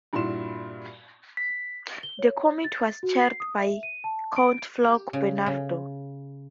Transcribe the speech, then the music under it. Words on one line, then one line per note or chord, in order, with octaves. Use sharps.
The committee was chaired by count Folke Bernadotte.
G2 A#2 E4 F#4 C6 E7
B6
G7
C#5
A6
F#4
C7
D#6
E5
D#7
A5
D7
G4
C#3
C#3